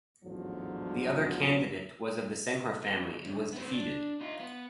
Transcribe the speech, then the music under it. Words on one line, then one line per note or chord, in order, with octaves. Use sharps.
The other candidate was of the Senghore family and was defeated.
A1 E2 G#2 D3 F3 F#3
B2 D3
D2
B3 C4
D4
D#4 F4
B3